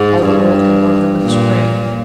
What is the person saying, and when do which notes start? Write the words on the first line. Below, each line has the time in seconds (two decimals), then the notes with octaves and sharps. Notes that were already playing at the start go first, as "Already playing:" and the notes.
All the world can love them in the spring.
Already playing: G#2
0.26 G2
1.22 A#2